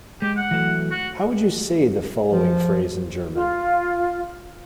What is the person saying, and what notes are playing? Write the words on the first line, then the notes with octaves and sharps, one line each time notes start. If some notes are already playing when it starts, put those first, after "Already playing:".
How would you say the following phrase in German?
G#3 G4
F#5
E3 F#3 A3
F#4
F3
F4